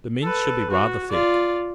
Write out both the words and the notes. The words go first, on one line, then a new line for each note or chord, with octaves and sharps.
The mince should be rather thick.
A4 B4
F#4
F4 D5